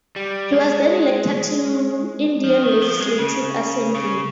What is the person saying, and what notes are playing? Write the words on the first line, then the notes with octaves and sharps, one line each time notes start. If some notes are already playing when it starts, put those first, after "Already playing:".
He was then elected to Indian Legislative Assembly.
G3
G#3
F3
D#3
F3
G#3
C#3
C#3